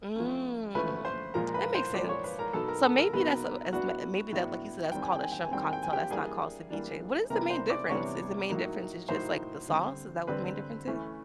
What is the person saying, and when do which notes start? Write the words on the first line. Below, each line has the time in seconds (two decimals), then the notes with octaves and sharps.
Mm. That makes sense. So, maybe that's a as ma maybe that like you said, that's called a shrimp cocktail, that's not called ceviche. What is the main difference? Is the main difference is just, like, the sauce? Is that what the main difference is?
0.16 F3 A3 C#4
0.75 F3 A3 C#4 B4 B5
1.05 C5 C6
1.34 A#2 F3 G#3 A#4 A#5
1.47 A#5
1.54 B4 B5
1.74 C5 C6
1.94 A#2 F3 G#3 D5 D6
2.09 C#5 C#6
2.24 B4 B5
2.39 A#4 A#5
2.53 B2 F#3 B3 D#4 A4 A5
2.68 A#4 A#5
2.84 A4 A5
2.98 A#4 A#5
3.13 B2 F#3 B3 D#4 B4 B5
3.73 A2 F#3 B3 D4 F#4 F#5
4.32 A2 F#3 B3 D4
4.92 D#3 G3 C4 G5
5.02 G#5
5.12 G5
5.22 G#5
5.32 G5
5.43 G#5
5.51 D#3 G3 C4 G5
5.62 G#5
5.73 G5
5.83 G#5
5.93 G4 G5
6.10 E3 G3 A#3 D4 G#4 G#5
6.70 E3 G3 A#3 D4
7.30 C3 E3 G3 B3 D4 A#4 A#5
7.50 C5 C6
7.70 D5 D6
7.89 C3 E3 G3 B3 D4 C#5 C#6
8.49 A2 F#3 A#3 D#4
9.09 A2 F#3 A#3 D#4 C5 C6
9.68 D3 G3 C4
10.27 D3 G3 C4 B4 B5
10.87 E3 A3 C#4